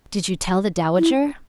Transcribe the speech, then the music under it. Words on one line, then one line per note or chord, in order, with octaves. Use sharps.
"Did you tell the Dowager?"
E4